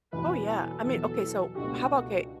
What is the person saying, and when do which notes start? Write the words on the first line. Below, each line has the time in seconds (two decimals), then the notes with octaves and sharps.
Oh, yeah. I mean, okay. So how about, 'kay
0.13 E2 B2 F#3 B4
0.48 A4
0.84 E2 B2 F#3 A4
1.55 C#2 B2 A3 D4 F#4 G4